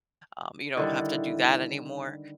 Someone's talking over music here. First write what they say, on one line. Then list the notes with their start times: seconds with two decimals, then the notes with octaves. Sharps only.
um, you don't have to do that anymore.
0.77 D3 D#3 G3 E4